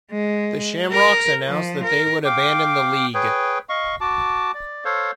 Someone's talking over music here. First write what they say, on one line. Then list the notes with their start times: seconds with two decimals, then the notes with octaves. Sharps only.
The Shamrocks announced that they would abandon the league.
0.12 G#3
0.92 A#4
1.47 F3
1.84 A#4
2.25 F5 G5 D6
3.14 G#4 B4 C#5 G5
3.69 D#5 F5 C#6
4.01 F#4 A5 D6
4.54 D5
4.85 A4 C5 C#5 F5